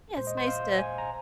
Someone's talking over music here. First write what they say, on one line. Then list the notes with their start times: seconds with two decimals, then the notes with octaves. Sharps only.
Yeah, it's nice to
0.17 A#2 G#3 C5
0.27 D#5
0.37 C5
0.47 F5
0.79 G#5
0.98 A#5